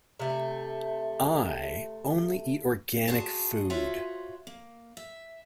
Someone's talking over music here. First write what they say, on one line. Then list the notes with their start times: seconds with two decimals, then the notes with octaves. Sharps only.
I only eat organic food.
0.19 C3 A3
3.07 F4 F#4 G#4 A5
3.70 F4 F#4 C5 C#5 E5
4.47 A#3
4.97 E5